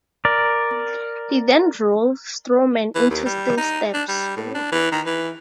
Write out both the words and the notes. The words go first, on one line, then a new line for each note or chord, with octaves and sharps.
He then drove Strowman into steel steps.
A#4 D5
E3
D#2
G3
D#4
D4
G3
A2
D4
E3
D#3
E3